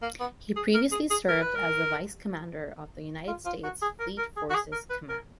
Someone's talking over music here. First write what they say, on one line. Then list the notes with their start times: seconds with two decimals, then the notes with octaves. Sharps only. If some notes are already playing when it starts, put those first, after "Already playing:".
He previously served as the Vice Commander of the United States Fleet Forces Command.
0.02 A#3
0.20 B3
0.56 G#4
0.75 A#4
0.92 G#4
1.10 G#4
1.28 A#4
1.42 B4
1.55 A#4
3.27 F4
3.45 F4
3.64 F#4
3.82 G#4
4.00 A#4
4.18 A#4
4.37 G#4
4.50 F#4
4.54 G#4
4.72 A#4
4.90 B4
5.09 A#4